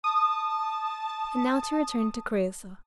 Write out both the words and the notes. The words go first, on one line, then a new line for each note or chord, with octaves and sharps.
And now to return to Creusa.
A5 D#6